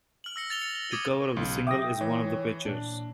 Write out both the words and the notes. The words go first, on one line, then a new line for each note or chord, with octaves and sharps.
The cover of the single is one of the pictures.
F6 F#7
E6 A#6 C#7
A6 F7 G7
C#7 F7
G7
D6 D#6 G#6 A6 D#7
B1 C#3
E5 G5 D6 D#6 A#6
E3 C#5
A#2 D4